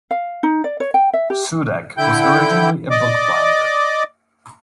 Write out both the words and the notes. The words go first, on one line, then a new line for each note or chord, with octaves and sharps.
Sudek was originally a bookbinder.
F5
D#4
D5
C#5
G5
E5
G4
D3 E4 G5 G6
D5 D#5 D6